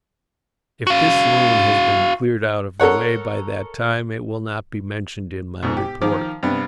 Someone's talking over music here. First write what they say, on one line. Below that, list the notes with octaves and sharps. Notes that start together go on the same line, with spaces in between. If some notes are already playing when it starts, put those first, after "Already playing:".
If this loan has been cleared out of the way by that time it will not be mentioned in my report.
F#4 F5
A4 A#4 C#5 F#5
G#2 B2
G4
D#3 F3 D6
G2 C3 B3